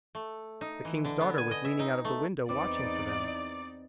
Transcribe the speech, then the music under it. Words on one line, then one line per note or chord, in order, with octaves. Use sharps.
The king's daughter was leaning out of the window watching for them.
A3
D#4
E3
D3
B3
G#5
D#5
E5
D#4
A3
E2 C4 D#4 B4 D5 D6